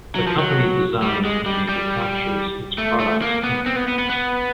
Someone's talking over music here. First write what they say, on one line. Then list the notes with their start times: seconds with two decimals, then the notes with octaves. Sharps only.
The company designs and manufactures its products in France.
0.16 F#3
0.27 F3
0.39 F#3
1.02 G3
1.25 G#3
1.46 G3
1.69 G3
2.78 A3
2.99 A3
3.22 A#3
3.43 B3
3.66 C4
3.76 B3
3.88 B3
3.98 B3
4.10 B3